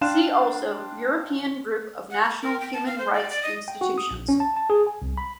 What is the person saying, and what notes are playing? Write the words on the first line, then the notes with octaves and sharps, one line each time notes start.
See also European Group of National Human Rights Institutions.
D4 F5 G5 C6 F#6 E7
F#5
B5
A#4
G5
A5
F5
C5
D5
D5
D#5
G5
F#4
D#6
A#1
C#4
A5
A5
G#4
G#5
C2
B5